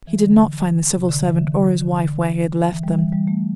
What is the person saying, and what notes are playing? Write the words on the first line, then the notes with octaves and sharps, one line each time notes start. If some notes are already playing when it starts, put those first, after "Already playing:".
He did not find the civil servant or his wife where he had left them.
E3
D3
C3
D3
E3
D3
D3
D3
D3
E3
G3
E3
G3
A3